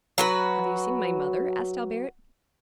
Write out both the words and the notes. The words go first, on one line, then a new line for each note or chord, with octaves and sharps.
"Have you seen my mother?" asked Albert.
F#3 F#4 B4